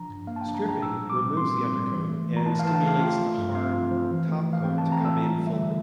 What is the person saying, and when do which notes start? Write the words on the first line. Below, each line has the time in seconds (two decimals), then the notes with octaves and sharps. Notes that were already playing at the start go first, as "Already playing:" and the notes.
Stripping removes the undercoat and stimulates the hard top coat to come in fuller.
Already playing: F3 D4 A#5
0.09 G2
0.27 A#3 F5
0.36 A5
0.41 G5
0.46 D4
0.55 A#5
0.65 F3 A#5
0.82 A#2 E6
1.01 G3
1.10 D6
1.19 A#2
1.37 C4 C6
1.55 A#2
1.73 G3
1.92 E3
2.09 A3
2.28 E3
2.37 A#5
2.46 E4 A5
2.60 F5
2.64 E3 A5
2.74 G5
2.83 A3 F5
3.00 F4 F5
3.19 F3
3.37 G2
3.55 C4 F5
3.73 F4
3.91 F3
4.10 E3
4.28 A3
4.46 E3
4.53 F5
4.64 C4 G5
4.78 A5
4.83 E3
4.92 A#5
5.01 A3 E6
5.19 F4
5.38 G3
5.47 E5
5.56 D3